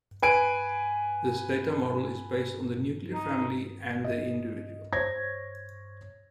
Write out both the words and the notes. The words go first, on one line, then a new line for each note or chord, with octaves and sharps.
This data model is based on the nuclear family and the individual.
B4 G#5 D7
D#4
D#5
C5 C#5 G#6 A#6